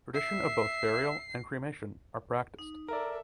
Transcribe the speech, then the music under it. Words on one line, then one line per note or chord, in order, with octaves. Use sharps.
Tradition of both burial and cremation are practised.
E5 C7
D#4
A4 A#4 D5 E5 A#5